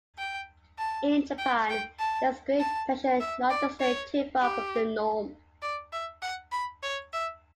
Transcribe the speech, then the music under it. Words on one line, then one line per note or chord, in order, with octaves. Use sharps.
In Japan, there is great pressure not to stray too far from the norm.
G5
A5
G5
G5
A5
A5
E5
D5
C#5
G4
D5
E5
F#5
B5
C#5
E5